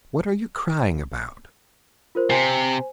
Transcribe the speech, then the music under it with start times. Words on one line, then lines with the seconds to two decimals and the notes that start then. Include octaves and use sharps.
"What are you crying about?"
2.15 F4 A#4 C5
2.30 C3 C5 G#5